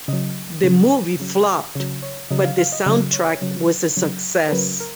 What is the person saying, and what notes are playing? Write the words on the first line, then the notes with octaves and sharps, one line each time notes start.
The movie flopped but the soundtrack was a success.
C#3 F#3 D#5
C#3 F#3
C#3 F#3
C#3 F#3 C#5
C#5
C#3 F#3 D#5
F5
F5
D#5
C#3 F#3 D#5
C#5
C#3 F#3
C#3 F#3
A#4
C#3 F#3 B4
A#4